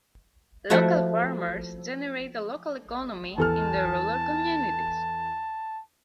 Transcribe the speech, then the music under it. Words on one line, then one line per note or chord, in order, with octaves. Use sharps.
Local farmers generate a local economy in their rural communities.
F3 A3 E4 F#4
E2 A4 A5 F6